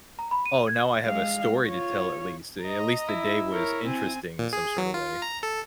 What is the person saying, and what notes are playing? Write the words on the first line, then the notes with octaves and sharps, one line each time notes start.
"Oh, now I have a story to tell at least. Uh, at least the day was interesting in some sort of way."
A#5
B5
D#7
G#6
G#3 F5
F4 C#5
D#5 A#5
E4
A#4 C#5
C4 G#5
A#2
G#4
F#3
F4
A#5
A4